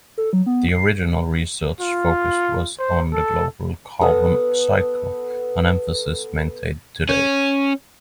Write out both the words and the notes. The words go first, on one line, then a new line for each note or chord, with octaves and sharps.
The original research focus was on the global carbon cycle, an emphasis maintained today.
A4
F#3
B3
C7
F4
C5
A4
B3 A4 D#6
C#4